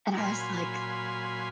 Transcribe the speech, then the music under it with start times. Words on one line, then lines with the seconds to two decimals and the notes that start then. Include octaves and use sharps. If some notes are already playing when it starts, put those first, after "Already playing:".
and I was like
0.18 A#2 F#3 F5 G#5 B5 C6